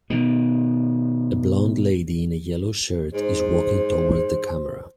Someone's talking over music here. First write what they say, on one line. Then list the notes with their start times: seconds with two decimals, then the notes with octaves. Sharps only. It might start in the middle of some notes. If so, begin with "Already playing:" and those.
A blond lady in a yellow shirt is walking toward the camera.
0.10 B2 D#3
3.14 G#2 C5